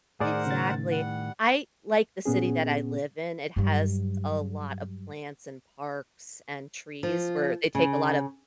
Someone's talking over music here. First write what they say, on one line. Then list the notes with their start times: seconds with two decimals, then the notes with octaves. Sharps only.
Exactly. I like the city that I live in, it has a lot of plants and parks and trees where they take a lot of
0.20 A2 D#3 G#4 A#4 C5 D5 F#5
0.46 C#3 A6
0.91 G3 F#5
2.25 A#2 B3 C#4 G#4
3.56 G2 F#3
7.03 F3
7.75 C#3